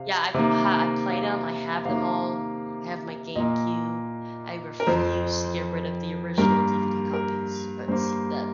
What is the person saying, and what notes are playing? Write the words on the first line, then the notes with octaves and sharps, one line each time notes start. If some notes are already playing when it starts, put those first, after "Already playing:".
Yeah, I've ha I've played 'em. I have them all. I have my GameCube. I refuse to get rid of the original DVD copies. Uh, see that
Already playing: C3 F5
C3 D#3 A#3
F5
C3 D#3 A#3 F5
A#2 A#3 D#5
A#4
F2 F3 C4 C5
G2 G3 A#3 A#4
A#4
G2 G3 A#3 C5